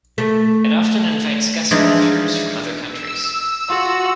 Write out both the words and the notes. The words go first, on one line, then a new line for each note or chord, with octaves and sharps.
It often invites guest lecturers from other countries.
A3
E3 F3 G#3 D4 D#4 F4
E6
F4 F#4